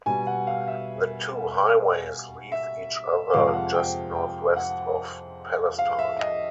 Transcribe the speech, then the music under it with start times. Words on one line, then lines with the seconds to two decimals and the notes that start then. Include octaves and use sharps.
The two highways leave each other just northwest of Palestine.
0.06 B2 G3 G#5
0.27 F#5
0.47 F5
0.67 E5
2.52 E5
3.33 F2 C3 F3 G#3 F5
3.54 F#5
3.74 G5
4.15 G5
4.56 F#5
5.79 F5
5.99 E5
6.19 D#5